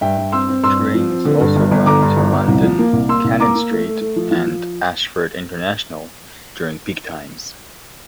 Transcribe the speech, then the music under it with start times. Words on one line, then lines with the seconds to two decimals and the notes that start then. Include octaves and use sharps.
Trains also run to London Cannon Street and Ashford International during peak times.
0.01 G2 E5 G5
0.17 G2
0.32 C4 C6 E6
0.48 C4
0.63 G2 C6 E6
0.79 C4
0.94 F3
1.10 C4
1.25 D3
1.41 G2
1.56 G1
1.71 G1
1.86 D3 A#5 D6
2.02 G2
2.17 G1
2.32 G1
2.48 C2
2.63 F3
2.79 A#3
2.93 C2
3.09 A#3 C6 E6
3.24 C2
3.40 A#3 A#5 D6
3.55 A#3
3.71 A3
3.86 A3
4.01 A3
4.16 F3
4.31 F3
4.47 F3